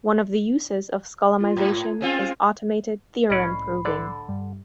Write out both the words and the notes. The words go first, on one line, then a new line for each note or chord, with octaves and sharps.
One of the uses of Skolemization is automated theorem proving.
F4
G#2
G#3 C4 C#4 F4
C2 A2 C#4 D5 D#5 B5 C7
D3 A4 D5
G2 G3